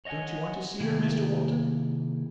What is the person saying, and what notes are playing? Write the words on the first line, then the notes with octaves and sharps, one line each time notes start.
"Don't you want to see her, Mr Walton?"
C#5 D#5 E5 F#5 G#5
C3 D#3 A#3 E4 G4 G#4